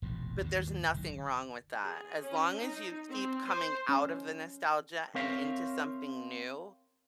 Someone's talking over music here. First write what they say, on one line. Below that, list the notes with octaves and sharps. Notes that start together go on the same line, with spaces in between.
But there's nothing wrong with that, as long as you keep coming out of the nostalgia and into something new,
E1 A1 G2 A#2
D#2 G#2 D3
F#1 D3 D#3 F#3
G#4
C#4
D#4
C4
C5
C#4
C4 A#4 C#5 E5 F5